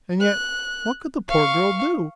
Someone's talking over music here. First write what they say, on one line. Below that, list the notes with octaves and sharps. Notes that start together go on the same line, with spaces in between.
And yet, what could the poor girl do?
F#6
F5 C#6